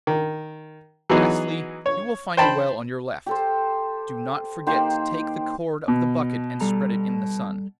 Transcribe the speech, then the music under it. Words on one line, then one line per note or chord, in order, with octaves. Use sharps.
Lastly, you will find a well on your left; do not forget to take the cord of the bucket and spread it in the sun.
D#3
E3 F#3 B3 D#4 G#4
C#5
C5 G5 A5 B5
G4 A4 C5
D#3 A#3 G4 C5
B2
G3 A4 A#5